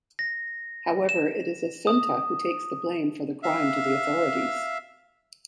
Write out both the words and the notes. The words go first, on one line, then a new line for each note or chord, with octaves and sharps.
However it is Assunta who takes the blame for the crime to the authorities.
A#6
E7
D#6
E5 F5